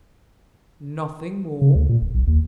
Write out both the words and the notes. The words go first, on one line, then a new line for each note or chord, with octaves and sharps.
"Nothing more?"
C#3
D2
A#2
E1
B1
D#2